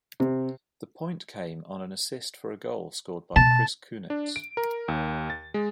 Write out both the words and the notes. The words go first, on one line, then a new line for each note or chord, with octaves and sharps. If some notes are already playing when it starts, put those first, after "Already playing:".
The point came on an assist for a goal scored by Chris Kunitz.
C3
B2 A5
D4
D7
A#4
D#2
A6
G#3